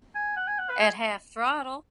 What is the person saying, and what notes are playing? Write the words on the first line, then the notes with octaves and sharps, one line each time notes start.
At half throttle.
G#5
F#5
G#5
F#5
B4
G#4